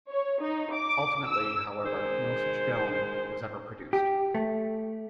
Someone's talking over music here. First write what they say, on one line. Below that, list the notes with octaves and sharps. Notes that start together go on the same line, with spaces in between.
Ultimately, however, no such film was ever produced.
C#5
D#4
D6
E6
D#3 G#3 C5
G4
A3